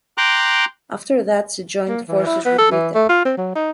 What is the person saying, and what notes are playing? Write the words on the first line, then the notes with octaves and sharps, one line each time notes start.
After that, she joined forces with Rita.
G5 A#5 C6 D6 F#6
A#3
E3
E4
B3
A4
E3
A3
F4
C4
F#3
D#4